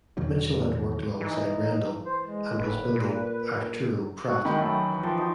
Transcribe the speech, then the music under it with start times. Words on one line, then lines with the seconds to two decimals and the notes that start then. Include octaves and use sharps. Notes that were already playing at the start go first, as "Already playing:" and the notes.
Mitchell had worked alongside Rendel, and was building "Arturo Prat".
0.17 E2 B2 D#3 F#3
1.21 E3 D#4
2.06 C5
2.23 G#3
2.59 F#1 B4
2.96 A#2
4.29 F#4
4.45 D#3 G#3 F#4 G5 B5
4.59 F#2 A3
4.84 E3
5.03 F3 G5 A5 C6
5.18 D#4 F#4